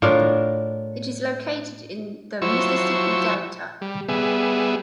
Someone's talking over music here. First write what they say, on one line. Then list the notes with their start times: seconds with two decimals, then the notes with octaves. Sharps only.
It is located in the Mississippi Delta.
0.02 A2 D4 F4 A#4
2.42 F3 F#3 E4 C5 C#6 E6
3.82 G3
4.08 G3 B3 G#4 E5